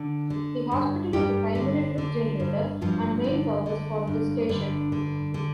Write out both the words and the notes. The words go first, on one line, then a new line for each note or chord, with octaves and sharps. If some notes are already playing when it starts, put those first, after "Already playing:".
The hospital is the primary trip generator and main purpose for this station.
Already playing: D3
D3
G2
G2 G3 G4
D3
D3
G2
G2 F3 F4
D3
D3
G2
G2 D3 D4
D3
D3